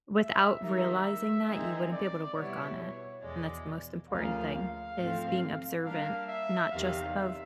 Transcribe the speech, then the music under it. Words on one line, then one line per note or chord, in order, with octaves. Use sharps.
without realizing that, you wouldn't be able to work on it. And that's the most important thing, is being observant, not just of
E5
D#3 G3 A#3 D#4 E5
D#3 G#3 C4 D#4 G#4
D5
B2 G3 B3 E4 C#5
C#5
E2 B2 G#3 D5
D2 C#3 F3 A#3 F5
F5
G#2 F3 A3 C4
G3 A#3 D4 F5
E5
E2 C3 D#3 G3 F5
E5